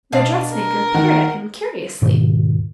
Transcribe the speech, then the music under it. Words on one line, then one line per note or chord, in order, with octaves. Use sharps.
The dressmaker peered at him curiously.
B2 D4 F5
A#4
D#3 F#5
D#2 G#2 B2 D#3